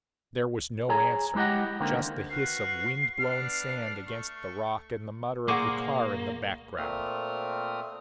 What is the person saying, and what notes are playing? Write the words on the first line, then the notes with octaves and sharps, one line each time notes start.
There was no answer--just the hiss of wind-blown sand against the rock and the mutter of the car in the background.
G#4 C#5 G#5 A#5
G#3 E4 G4 D#5 F#5
D3 D#3 A#3 C4
F#4 B4 F5 C7
B3 D4 F6
A3 C#6
A#2 A#3 G#4 C5 F#5 C#6 D6
A#2 A3 C4 D#6 F6